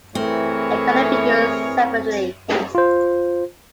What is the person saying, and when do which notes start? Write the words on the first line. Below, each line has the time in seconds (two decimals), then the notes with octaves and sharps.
It cannot be used separately.
0.15 E3 A3 C4 G#4 A#4 C#5
2.75 F4 C5